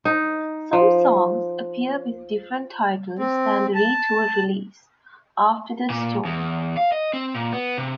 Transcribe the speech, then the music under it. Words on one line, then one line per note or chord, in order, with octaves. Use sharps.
Some songs appear with different titles than the re-tooled release, "After the Storm".
D#4
F3
C4
A5
A#2
E2
F5
D#5
C4
A#2
B3
C3